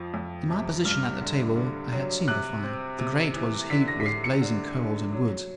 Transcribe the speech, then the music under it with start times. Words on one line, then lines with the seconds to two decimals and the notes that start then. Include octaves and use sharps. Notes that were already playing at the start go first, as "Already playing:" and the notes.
In my position at the table, I had seen the fire: the grate was heaped with blazing coals and wood.
Already playing: F2 F3
0.14 F2
0.49 C3
0.85 G2 F6
1.21 D3
1.56 D3
1.92 F#3
2.28 C3 F#6
2.63 C4
2.99 C3
3.34 E3
3.70 D3 B6
3.88 A#6
4.00 B6
4.06 D3 C7
4.24 C#7
4.41 D3
4.77 D3
5.13 F#3